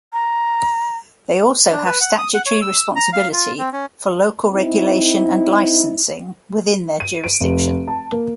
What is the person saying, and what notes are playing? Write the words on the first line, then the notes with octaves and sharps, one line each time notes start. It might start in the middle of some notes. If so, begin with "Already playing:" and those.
They also have statutory responsibility for local regulation and licensing within their jurisdiction.
A#5
D4
B4
F#5
D#6
F#5
C#5
E6
A#5
F5
F4
C4
C#4
C4 D#4 E4
D#7
D7
F1
A5
A#3